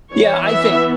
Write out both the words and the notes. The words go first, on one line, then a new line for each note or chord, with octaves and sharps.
Yeah, I think
E3 B3 C#5
E5